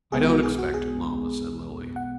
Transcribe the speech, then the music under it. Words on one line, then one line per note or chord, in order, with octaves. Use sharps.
"I don't expect it, mamma," said Lily.
B1 B2 G#3 B3 G#4
E4
F#4
G#4
F#4
G#4
F#5